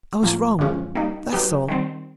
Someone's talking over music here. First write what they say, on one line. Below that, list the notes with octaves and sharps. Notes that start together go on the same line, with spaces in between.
I was wrong, that's all.
A2 F3 A#3
F#2 D3 F3 G#3 C#4
G3 A#3 D#4
F#3 B3 D#4 G4
D#3 G3 C4